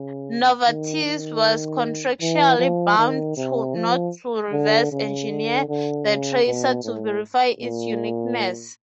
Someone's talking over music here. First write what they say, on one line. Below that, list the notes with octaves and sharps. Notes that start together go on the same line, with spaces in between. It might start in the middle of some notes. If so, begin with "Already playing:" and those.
Novartis was contractually bound not to reverse-engineer the tracer to verify its uniqueness.
Already playing: C#3
D#3
D#3
E3
F3
D#3
C3
F3
D3
C#3
D3
D3
C#3
B2
A2
A#2